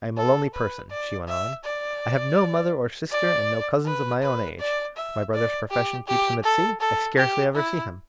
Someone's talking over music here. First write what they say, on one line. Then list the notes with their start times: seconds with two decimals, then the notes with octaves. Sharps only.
I am a lonely person," she went on; "I have no mother or sister, and no cousins of my own age. My brother's profession keeps him at sea; I scarcely ever see him.
0.17 A4
0.54 B4
0.90 D5
1.28 E5
1.64 D5
3.11 D5
3.86 B4
4.22 B4
4.59 D5
4.97 E5
5.34 D5
5.70 G4
6.07 G4
6.44 A4
6.80 A4
7.17 G4
7.55 E4